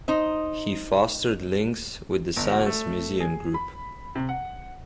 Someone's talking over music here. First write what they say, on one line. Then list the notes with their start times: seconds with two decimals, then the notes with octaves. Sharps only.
He fostered links with the Science Museum Group.
0.08 D#4 C5 D#5
2.36 G1
2.51 F#4
2.66 A3
3.20 G#4
3.54 B5
4.15 C3
4.29 F#5